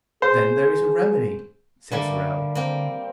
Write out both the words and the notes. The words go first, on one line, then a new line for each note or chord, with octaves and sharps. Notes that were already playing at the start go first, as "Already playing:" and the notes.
"Then there is a remedy," said Sorel.
G#4 C5
D3 G3 A#3 E5
A#3 C4